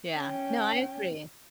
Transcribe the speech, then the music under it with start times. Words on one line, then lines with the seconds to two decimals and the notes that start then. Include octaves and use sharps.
Yeah, no, I agree.
0.18 C#4 G5